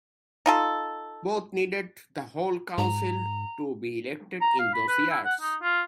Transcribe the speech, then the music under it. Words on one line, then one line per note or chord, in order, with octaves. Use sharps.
Both needed the whole council to be elected in those years.
D#4 F4 A4
G#2 A#5
A#5
F5
B5
B4
E4
F#5
D#4
F4